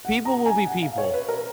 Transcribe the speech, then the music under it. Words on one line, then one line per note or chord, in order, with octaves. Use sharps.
"People will be people
F#5
A#5
G#5
F#5
F5
C#5
B4
A#4